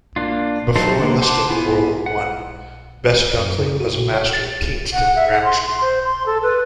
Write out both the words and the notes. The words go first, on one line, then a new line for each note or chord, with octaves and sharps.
Before enlisting in World War One, Best-Dunkley was a Master at Tienstin Grammar School.
A#3 D4 F4
F#3 D#4 A4 C5
D3 A#3
C5 F#5 A5 C6 D6
B3 E4 F4 G#5
F#5
F#2
C#3
F#4
A#2
C#5
A6
F#5
E5
F#5
C6
C6
C5
C6
A4
B4